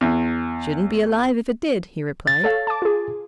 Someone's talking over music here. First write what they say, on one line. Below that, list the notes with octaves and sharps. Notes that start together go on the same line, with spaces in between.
"Shouldn't be alive if it did," he replied.
E2
A6
A4 C#5 F5
A5 D6
F4 G#4